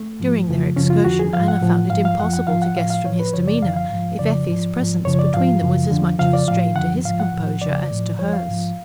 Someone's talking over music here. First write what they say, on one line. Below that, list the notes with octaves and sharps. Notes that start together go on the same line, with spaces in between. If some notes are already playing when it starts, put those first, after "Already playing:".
During their excursion Anna found it impossible to guess from his demeanour if Effie's presence between them was as much of a strain to his composure as to hers.
Already playing: A3
G#2 F3
F2 C#3 F3
F#2 C#3 F3 C#4
F4
F2 D3 F3 F#4
G#4
G#2 F3 F5
F#5
A2 F3
G#2 F3 F5
F5
F#2 F3 F#5
F#5
G#2 F3 F5
F#5
A2 F3 F5
F5
A2 F3 C#5
B4
F#2 C#3 F3 C#5
D5
F#2 D3 F3 F5
F5
G#2 F3
F2 C#3 F3 D5
G#2 F3
G#2 F3
F#2 C#3 F3 C#5
D5
G#2 F3 F5
F#2 C#3 F3
F2 D3 F3
F2 C#3 F3 F5
D5
A2 F3 F5
F#2 D3 F3 F#5
G#2 F3 F5
F#5
A2 F3
F2 C#3 F3 D5
A2 F3
F2 F3 C#5
F5
G#2 F3